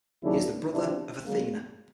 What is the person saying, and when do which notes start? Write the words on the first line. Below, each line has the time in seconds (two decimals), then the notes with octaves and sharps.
He is the brother of Athena.
0.22 D#2 C#3 F#3 D4 E4
0.72 E2 C3 F3 D4 E4
1.23 D2 C#3 F#3 G#3 A#3